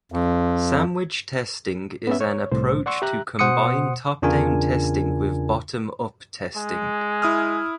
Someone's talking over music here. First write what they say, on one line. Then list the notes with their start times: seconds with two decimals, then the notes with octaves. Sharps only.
Sandwich testing is an approach to combine top down testing with bottom up testing.
0.12 F2
2.07 B3 C#4 E5
2.21 C#5
2.52 C2 A2 C5
2.86 D5 F#5 C6 C#6 E6
3.02 G4 E5 A#5 F#6
3.39 B2 C5 F#5 C6 D#6 C#7
4.22 E2 C#3 D4 F4 A#4 G#5
6.57 G#3
7.22 E4 D#6 F6